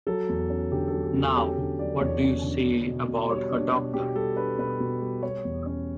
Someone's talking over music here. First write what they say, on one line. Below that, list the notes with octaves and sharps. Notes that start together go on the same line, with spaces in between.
Now, what do you say about her doctor?
F#3 A4
E2
C#4
D3 G4
F#3 A4
G4
E2
A4
C#4 G4
D3 A4
F#3 D5
E2 C#5
C#4
D3
D4
B2
B2
G3 C#5
D4
B2
B2 G4
G3 A4
D4 B4
B2 B4
B2
G3
G3 C#5
E2
C#4